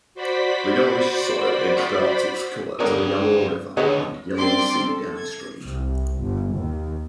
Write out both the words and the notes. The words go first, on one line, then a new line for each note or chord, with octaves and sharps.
The yellowish soil imparts its color to the Yellow River and Yellow Sea downstream.
F#4 C5 D5 B5 B6
G2 D3 D4 A#4 B4 C#5 D5 D#6
D#2 D3 G#4 B4 C#5 D#5 F#6
G3 C4 D4 D5 C6 D6
A4
G#6
C2
G1
D#2